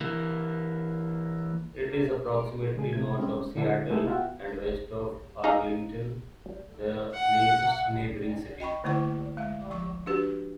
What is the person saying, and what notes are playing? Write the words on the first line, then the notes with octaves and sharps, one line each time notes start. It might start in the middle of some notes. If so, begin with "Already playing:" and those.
It is approximately north of Seattle, and west of Arlington, the nearest neighboring city.
E3 A#3
C#3 G#3 G#4
C3 G#6
G3 G#3 C4 C#4
A#2 D3 G#3 D4 E4 A4
G#3 A3 D#4 E4 A4
B3 F4 F#4 E5 F#5 G5
D#4 G#4 F5 A#5
F#5
D#5 G5 B5 C#6
D3 A3 A#3 E4 C5 C#6
G#3 E5
F3 C#6
D4 F#4 G4 B4